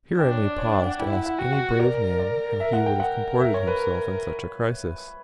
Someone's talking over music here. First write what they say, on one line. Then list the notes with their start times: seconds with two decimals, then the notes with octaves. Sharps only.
Here I may pause to ask any brave man how he would have comported himself in such a crisis.
0.18 D4 G5
0.32 C#5
0.45 D5
0.58 C#5
0.72 G5
0.86 F#5
0.99 E4 G5
1.13 F#5
1.26 F#5
1.38 F#4 G5
1.53 F#5
1.79 A#4 D5
2.20 D5
2.60 E5
2.73 F#5
2.86 G5
3.00 A#4 F#5
3.40 E5
3.54 C#5
3.67 B4